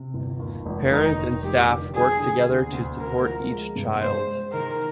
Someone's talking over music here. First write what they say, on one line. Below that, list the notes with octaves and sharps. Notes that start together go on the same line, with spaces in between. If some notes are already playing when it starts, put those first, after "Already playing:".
Parents and staff work together to support each child.
Already playing: C3
G1
D#2
F1
F1 D#4
D#3
F1 G4
D3
G3 G#4
D3
D2
D2
D2 A#4
F3
G#3
G2
G#3 C5
G#3
D#3 A#4